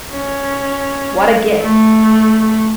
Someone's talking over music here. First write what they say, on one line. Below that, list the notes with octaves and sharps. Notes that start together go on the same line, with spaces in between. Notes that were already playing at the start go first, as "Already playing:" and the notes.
What a gift.
C#4
A3